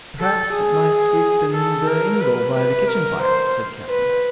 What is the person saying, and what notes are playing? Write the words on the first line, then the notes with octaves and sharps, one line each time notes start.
'Perhaps it might sleep in the ingle by the kitchen fire', said the captain.
A4
G#4
A4
A#4
B4
B4
A#4
C5
B4